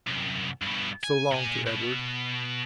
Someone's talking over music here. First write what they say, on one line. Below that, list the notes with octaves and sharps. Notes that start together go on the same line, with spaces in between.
"So long," to Edward.
C2 F#2
G2 B2
G#5
A#2 G#5
B2